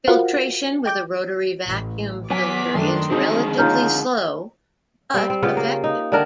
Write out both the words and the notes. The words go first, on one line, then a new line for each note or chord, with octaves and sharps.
Filtration with a rotary vacuum filter is relatively slow but effective.
F4 F#4 A#4 C5 F5 F#5
G5 D6 G6
A1
F#3 B3 G#5 D6 B6
F#2 D#3 A3 D4 C6
D3 D#3 G#3 C4 D#4 F#4 G#4
C#4 D#4 F4 A#5 F6 G6
G3 C4
C4
C#3 B3 F4 G4
A#3
D#4
D3 D#3 D4 A#4